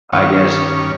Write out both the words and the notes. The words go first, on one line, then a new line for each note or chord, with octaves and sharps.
I guess,
G2 D#3 C#4 C#5